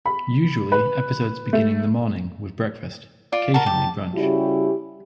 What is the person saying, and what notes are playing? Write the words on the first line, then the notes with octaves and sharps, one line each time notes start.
Usually episodes begin in the morning with breakfast, occasionally brunch.
B5
B4
A3
F4 D5
F#4 A#4 A5
G4
C#3 G3 C#4 E4 F#4 G4